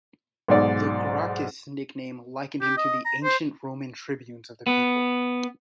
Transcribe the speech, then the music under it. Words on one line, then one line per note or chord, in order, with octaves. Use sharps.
The "Gracchus" nickname likened him to the ancient Roman tribunes of the people.
B1 G#2 D5
G4
D#5
A#5
C5
B3